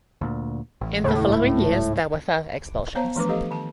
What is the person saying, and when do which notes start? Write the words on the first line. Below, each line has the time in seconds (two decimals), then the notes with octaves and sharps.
In the following years there were further expulsions.
0.21 D2 A#2
0.81 A1
1.04 D#2 A2 C#3
1.27 C#2 G#2
2.95 B3 C5 C#5 F5 A5 A#5
3.16 E3 F3 A3 D4 B4 D6
3.29 G4 A4 D#5 F5
3.51 D#3 A5